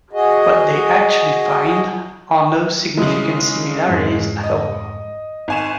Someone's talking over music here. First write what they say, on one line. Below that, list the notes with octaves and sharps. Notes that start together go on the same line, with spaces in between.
What they actually find are no significant similarities at all.
F#4 G#4 D#5
C#3 G#3 E4 D#6
F2 G#2
D#5
G#1 D#4 G#5 C#6 E7